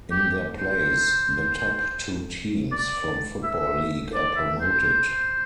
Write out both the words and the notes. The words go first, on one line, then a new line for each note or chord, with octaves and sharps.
In their place, the top two teams from Football League are promoted.
G4
C5
D5
E5
D5
E5
C5